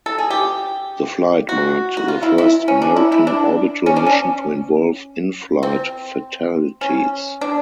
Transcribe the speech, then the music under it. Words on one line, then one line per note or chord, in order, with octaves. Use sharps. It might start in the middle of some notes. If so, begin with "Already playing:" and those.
The flight marked the first American orbital mission to involve in-flight fatalities.
A4
G#4
G4
F#4
F#4
F4
E4
E4
C#4
D4
E4
E4
D4
C#4
D4
C#4
C4
C#4
D4